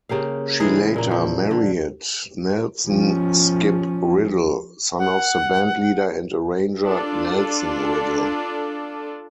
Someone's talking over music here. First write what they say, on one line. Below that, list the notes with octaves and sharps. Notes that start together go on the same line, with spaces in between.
She later married Nelson "Skip" Riddle, son of the bandleader and arranger Nelson Riddle.
C#3 A#3 G4 F5
E3 G#3 G#4 A#4
A#2 A#3
F3
D3
F3 C#4
F#5
D4 F4 A4